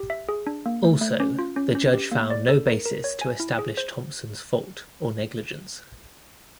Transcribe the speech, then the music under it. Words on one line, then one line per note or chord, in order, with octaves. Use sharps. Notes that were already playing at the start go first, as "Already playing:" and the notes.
Also, the judge found no basis to establish Thomson's fault or negligence.
Already playing: G4
E5
G#4
D4
A#3
A3
A3
C#4
F4
C#4
C#4
G4
A#3
D5
A4
A#4
A#4
C#5
G#5
E4
G#4
C5